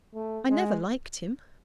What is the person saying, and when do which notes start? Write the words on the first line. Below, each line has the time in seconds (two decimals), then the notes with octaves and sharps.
'I never liked him.
0.15 A3
0.50 G#3